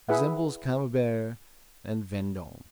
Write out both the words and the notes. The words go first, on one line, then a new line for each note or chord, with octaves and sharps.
Resembles Camembert and Vendome.
E4 G#4 B4 E5 F#5